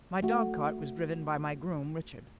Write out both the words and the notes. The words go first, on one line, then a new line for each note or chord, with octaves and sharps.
My dogcart was driven by my groom, Richard.
A3 F#4